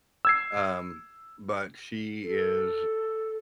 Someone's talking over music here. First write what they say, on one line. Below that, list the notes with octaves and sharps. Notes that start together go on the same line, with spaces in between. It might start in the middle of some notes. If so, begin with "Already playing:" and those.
um, but she is
E6 G#6 C7
A4